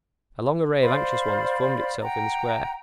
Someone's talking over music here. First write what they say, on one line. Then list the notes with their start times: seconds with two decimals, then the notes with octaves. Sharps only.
A long array of anxious ones formed itself in the square.
0.83 C5 D5 F5 B5
2.02 F#5 G5 A#5